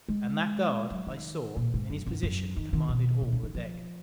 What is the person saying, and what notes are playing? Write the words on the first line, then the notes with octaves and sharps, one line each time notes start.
And that guard, I saw, in his position, commanded all the deck.
G#3
F#3
D#3
A#2
G#2
F#2
F#2
F#2
D#3
D#3
B2
A#2
C#3
D#3
F3